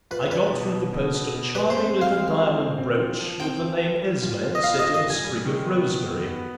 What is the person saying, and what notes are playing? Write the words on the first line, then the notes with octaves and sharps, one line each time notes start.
I got through the post a charming little diamond brooch, with the name Esme set in a sprig of rosemary.
F4 B4
D4 B4
B2
B2
B2
B2
B2
G#3 B4
C5
C4
C4 F5
G#3
F3
C4
C4
F4
F3
C4 G5
F3
F4
G3
F4
F4
D#5
B3 F5
F4 D#5
D#5
G3
G#5
G3
D#3
B3
D#3
B3
B3